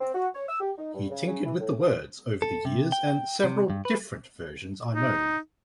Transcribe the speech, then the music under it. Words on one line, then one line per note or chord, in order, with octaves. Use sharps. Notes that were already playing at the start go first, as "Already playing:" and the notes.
He tinkered with the words over the years and several different versions are known.
C4
F#4
C#5
E6
G4
D#4
G2
C#3
C#3
E3
A2
F3
A4
C3
G5
C3
G2
B4
D#4